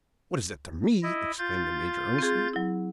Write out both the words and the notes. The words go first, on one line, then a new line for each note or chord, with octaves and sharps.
"What is that to me!" exclaimed the Major, earnestly.
E4 D#5
F4 G6 A6
C4 G#4
F#3 E4